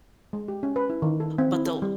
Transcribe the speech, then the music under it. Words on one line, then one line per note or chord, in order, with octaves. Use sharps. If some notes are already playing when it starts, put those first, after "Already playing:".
but, they'll
G#3
G4
C#4
B4
E4
D#3
A4
C4
E4
A4
G3